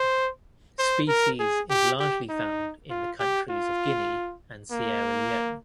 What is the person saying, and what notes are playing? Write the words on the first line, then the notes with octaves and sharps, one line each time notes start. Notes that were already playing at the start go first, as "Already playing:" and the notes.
Species is largely found in the countries of Guinea and Sierra Leone.
Already playing: C5
C5
A#4
G#4
G4
G4
D#4
F4
G4
F4
A#3